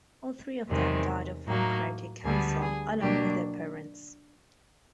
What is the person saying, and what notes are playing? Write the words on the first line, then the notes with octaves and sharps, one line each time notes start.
All three of them died of pancreatic cancer, along with their parents.
E2 C3 D#3 G#3 C4
A2 F#3 A#3 D#4
D2 D3 G3 B3 G#4
G#4
B2 F#3 A#3 D4 G4